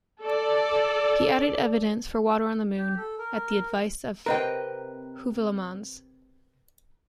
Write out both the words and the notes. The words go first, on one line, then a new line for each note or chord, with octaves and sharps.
He added evidence for water on the moon at the advice of Heuvelmans.
A4 D5
G4
A4
A#4
C3 C4 A#4 B4 D#5 G5